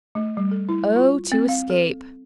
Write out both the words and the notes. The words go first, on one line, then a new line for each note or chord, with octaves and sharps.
Oh, to escape!
A3
G3
A4
E4
F4
C4
F5
A4